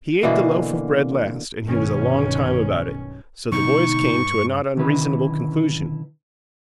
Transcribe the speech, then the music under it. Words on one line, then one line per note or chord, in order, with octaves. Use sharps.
He ate the loaf of bread last and he was a long time about it; so the boys came to a not unreasonable conclusion.
B2 D3 E3 A#3
B1 G2 B2 D#3 C#4
B2 D3 G#3 D#4 C#6
G2
B1 D3 D#3 C#4 E4 B4